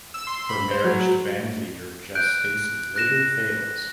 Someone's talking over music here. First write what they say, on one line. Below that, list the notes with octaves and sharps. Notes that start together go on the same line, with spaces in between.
Her marriage to bandleader Jess Stacy later fails.
E6
C6
B5
C5
F#3
F#6 G6 D7
F#6 A#6 E7